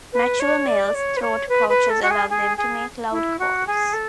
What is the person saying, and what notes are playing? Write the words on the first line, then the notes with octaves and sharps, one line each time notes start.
Mature males' throat pouches allow them to make loud calls.
B4
C#5
D5
C#5
B4
C#5
B4
B4
A4
F#4
G#4
G#4
G#4
E4
F#4
G#4
A4